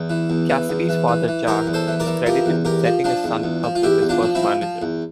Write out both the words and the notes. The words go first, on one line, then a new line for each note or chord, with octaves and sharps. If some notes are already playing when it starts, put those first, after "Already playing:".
Cassidy's father Jack is credited with setting his son up with his first manager.
Already playing: E2
E3
E2
E3
E2
E3
E3
E3
E3 G4 A#4
E2
A4 C5
E3
A#4 D5
E3
F3 G4 A#4
E2
E2 G4 A#4
F3
F3 D4 F4
E2
E2
F3
F4
E2 E4 G4
E2
D4 F4
F3
C4 E4
F3
F3
E2